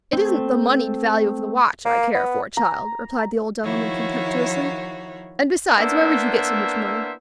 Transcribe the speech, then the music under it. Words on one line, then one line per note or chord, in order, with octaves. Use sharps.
"It isn't the moneyed value of the watch I care for, child," replied the old gentleman, contemptuously; "and besides, where would you get so much money?"
A3 C4
A#3
B3
A#5
D#3 F3 E4 F#4 C#5
A#3 B3 D4 E4 C5 E5